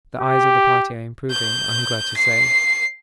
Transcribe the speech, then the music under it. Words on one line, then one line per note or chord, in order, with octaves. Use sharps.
The eyes of the party are improving, I am glad to say.
G4
G6
C7